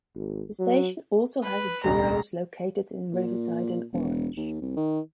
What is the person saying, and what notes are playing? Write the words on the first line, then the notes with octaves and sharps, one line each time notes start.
The station also has bureaus located in Riverside and Orange.
G#1
F#3
B4
E1 A1 D2 A#5
A#2
E1
D#2
C2
D#3